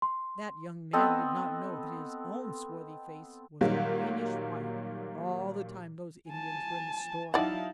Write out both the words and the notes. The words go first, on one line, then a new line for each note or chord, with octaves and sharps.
That young man did not know that his own swarthy face was a greenish white all the time those Indians were in the store!
C6
B3 C4 A4 D#5
A#2 D#3 F#3 G3 A#3
G#5 A5
F#3 D#4 E4 D5 F5 F#5 A5